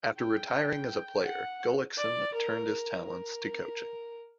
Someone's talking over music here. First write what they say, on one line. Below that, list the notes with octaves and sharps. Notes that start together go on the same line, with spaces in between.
After retiring as a player, Gullikson turned his talents to coaching.
G5
F#5
D5
A#4
A#4